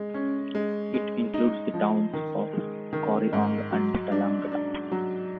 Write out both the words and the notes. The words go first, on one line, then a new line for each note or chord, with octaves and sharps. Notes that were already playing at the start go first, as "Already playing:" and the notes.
It includes the towns of Corryong and Tallangatta.
Already playing: G#3
C#4
G#3
G#3
D#4
F3
D#3
G#3
D#3
G#2
F#3
D4
D4
F#3